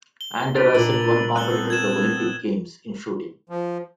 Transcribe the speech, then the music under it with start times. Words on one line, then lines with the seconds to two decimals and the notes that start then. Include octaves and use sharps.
Andorra sent one competitor to the Olympic Games in shooting.
0.21 G7
0.56 D4 G4 B4
0.74 A#2 E6 F#7
1.36 B3 C4 A4 F#6 F#7 G7
1.70 G#6 A6 E7
3.49 F3